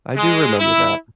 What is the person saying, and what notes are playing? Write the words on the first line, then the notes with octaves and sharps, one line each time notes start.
I do remember that.
G#3
E4